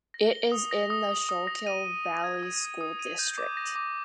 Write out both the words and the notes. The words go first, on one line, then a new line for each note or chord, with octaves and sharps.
It is in the Schuylkill Valley School District.
A#6
G7
D#6
A#6
D#6
D#6
D#6
A#6
D#7
D#7
D#7
G#6
D#6
D#6
D#6
D#7
G6
D6
A#6
D6